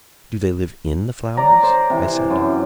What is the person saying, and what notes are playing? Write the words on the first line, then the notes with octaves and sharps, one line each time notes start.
"Do they live IN the flowers?" I said.
D5 A#5
C5
C3 E3
F#2